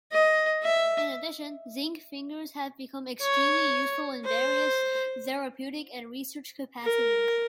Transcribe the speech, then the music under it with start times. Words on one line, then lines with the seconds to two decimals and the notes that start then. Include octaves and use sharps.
In addition, zinc fingers have become extremely useful in various therapeutic and research capacities.
0.12 D#5
0.63 E5
3.22 C#5
4.25 C5
6.83 A#4